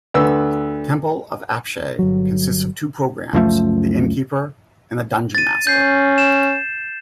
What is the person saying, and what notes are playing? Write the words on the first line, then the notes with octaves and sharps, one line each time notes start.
"Temple of Apshai" consists of two programs; the Innkeeper and the Dunjonmaster.
D2 B4 E6
G1 F#3
C#2 F#2 F3 A3
A6 D#7
C#4 G6 C7
E7